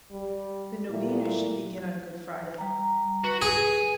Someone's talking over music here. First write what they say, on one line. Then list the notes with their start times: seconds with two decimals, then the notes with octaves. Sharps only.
The novena should begin on Good Friday.
0.12 G3
0.90 A#2 G3 A3 E4
2.58 G3 A#5
3.24 F#4 B4
3.42 G#4 G#5